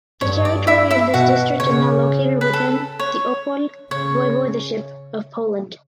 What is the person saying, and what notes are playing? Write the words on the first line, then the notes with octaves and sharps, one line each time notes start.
The territory of this district is now located within the Opole Voivodeship of Poland.
G2 C#5
D5
E4 E5
E4 E5
B2 F#4 F#5
C#3 C#5
B4
A4
C#5
C#3 C#5